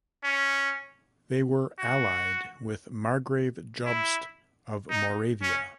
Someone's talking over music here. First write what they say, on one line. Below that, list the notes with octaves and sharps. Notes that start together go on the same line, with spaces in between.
They were allied with Margrave Jobst of Moravia.
C#4
F#4
E4
D#4
C#4